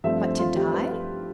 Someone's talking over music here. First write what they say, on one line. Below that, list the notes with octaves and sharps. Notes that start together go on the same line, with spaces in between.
But to die?
G2 F3 A3 C4 E5
C5
F4
G4
B4